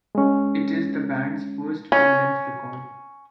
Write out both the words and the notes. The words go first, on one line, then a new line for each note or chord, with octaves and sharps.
It is the band's first full-length record.
G#3 C#4
C#4